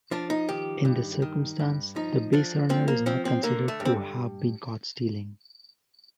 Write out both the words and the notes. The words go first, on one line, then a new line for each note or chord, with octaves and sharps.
In this circumstance, the baserunner is not considered to have been caught stealing.
F3 D4
D#4
D#3 G4
G2
D#3
G2
F3 D#4
F3 D4
F3 C4
A#3
F3 C4
C4
D3 A#3
A3
G2
C4